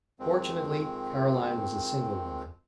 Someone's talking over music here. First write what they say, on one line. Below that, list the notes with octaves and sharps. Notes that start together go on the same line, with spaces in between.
Fortunately, Caroline was a single woman.
F2 D#3 F3 G#3 C4